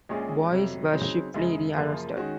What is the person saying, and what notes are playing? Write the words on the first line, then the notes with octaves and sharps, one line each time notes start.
Boyce was swiftly rearrested.
A#1 A#2 G#3 C#4 G#4
F2 C3 F#3
C#3 F#3 C4 D#4
F#2 C#3 G#3
F#2 C#3 F3 A#3 F4
D#3 G#3 C#4 F#4